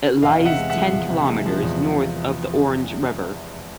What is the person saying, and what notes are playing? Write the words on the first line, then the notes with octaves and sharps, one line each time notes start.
It lies ten kilometres north of the Orange River.
E2 D#5 F5
C3
E5 F#5
G#3
E5 F#5
F3
E2
C3
G#3
F3
E2